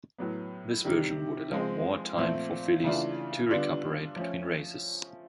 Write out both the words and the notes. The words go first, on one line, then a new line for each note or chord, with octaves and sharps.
This version would allow more time for fillies to recuperate between races.
A2 F#3 B3
C3 D#3 G3
F3 G#3 C4
A#2 F3 A3 C4
C#3 E3 A3 D4 F4
D3 G3 B3 D4 F4
F3 A3 C#4